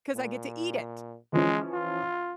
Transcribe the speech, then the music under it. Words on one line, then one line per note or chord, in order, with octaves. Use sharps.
'Cause I get to eat it."
A#2
E3 F3 G#3 C#4
F4